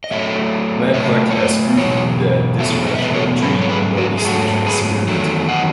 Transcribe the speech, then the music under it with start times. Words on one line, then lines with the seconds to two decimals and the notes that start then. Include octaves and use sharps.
Mannhardt has proved that this branch or tree embodies the tree-spirit.
0.04 D#5
0.11 A2 F#3 A3 C#5 E5
0.94 A2 F#3 A3 C#5 E5
1.30 C#5
1.35 B4 D#5
1.77 E2 B2 F#3 C#5
2.59 E2 B2 F#3 A3 E5
2.87 D#5
2.95 E5
3.03 B4 D#5
3.14 A4 C#5
3.42 G#2 F#3 A3 G#4 B4
3.62 C#5
3.69 G#4 B4
3.97 F#4 A4
4.17 G#4
4.24 G#2 F#3 A3 F#4 A4
4.66 G#4 B4
5.07 E2 D#3 F#3 A3
5.49 D#5 F#5